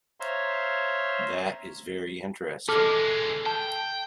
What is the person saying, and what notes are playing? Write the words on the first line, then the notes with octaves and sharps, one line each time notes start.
That is very interesting.
C5 C#5 E5 F5 A#5 C6
E3 G#3 A4 D6 F6
G5 A5